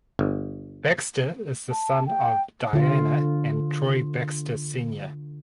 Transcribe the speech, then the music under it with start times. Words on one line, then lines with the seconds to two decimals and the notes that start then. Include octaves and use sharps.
Baxter is the son of Dianna and Troy Baxter Sr.
0.19 G1
1.71 A5
2.07 G5
2.73 D3 F4